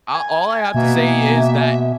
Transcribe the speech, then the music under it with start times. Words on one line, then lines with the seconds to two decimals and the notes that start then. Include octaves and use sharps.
A all I have to say is that
0.14 G#5
0.75 B2 A#3 E5